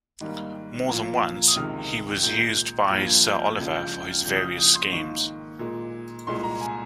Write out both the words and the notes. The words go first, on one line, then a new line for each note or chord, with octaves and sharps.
More than once, he was used by Sir Oliver for his various schemes.
G#2 D#3 G3 A#3
A#2 F3 A#3
D#6
C#2 C3 D#3 G#3 F6
A#2 G#3 G6
G2 F3 A#3 F6
G#6
G6
F6
C#2 C#3 F3 G#3 G#6
G6
G6
F6
F2 C#3 F3 G6
D#6
F6
D#6
C6
G#2 D#3 A#3 C#6
A#2 G#3
C2 A#2 G#3 C6
A#5
G#5